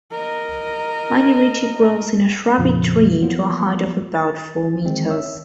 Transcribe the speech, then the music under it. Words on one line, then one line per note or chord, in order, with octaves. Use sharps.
Miniritchie grows is a shrubby tree to a height of about four metres.
A#4 D#5
F2 A#2 C#3 F3
F3 F#3 A#3 B3 F4
A6
D#3 E3 G#3 C4
C#5 E5 E6